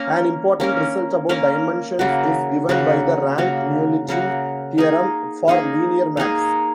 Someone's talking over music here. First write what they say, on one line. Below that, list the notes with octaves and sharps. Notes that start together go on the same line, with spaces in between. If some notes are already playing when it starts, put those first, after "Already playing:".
An important result about dimensions is given by the rank-nullity theorem for linear maps.
Already playing: A#3 C#4 A#4
A#3 C#4 A#4
A#3 C#4 A#4
C#3 A#3 F#4
C#3 A#3 F#4
C#3 A#3 F#4
C#3 A#3 F#4
A#3 D#4 G#4
A#3 D#4 G#4
A#3 D#4 G#4